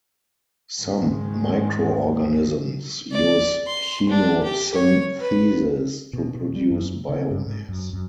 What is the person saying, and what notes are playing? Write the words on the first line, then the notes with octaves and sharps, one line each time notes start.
Some microorganisms use chemosynthesis to produce biomass.
G#2 D#3 G#3
D5
C6
D4
G4
C#5
B4
B2
B2
G3
F#2
C#3
G2
G#2
F#2
F#2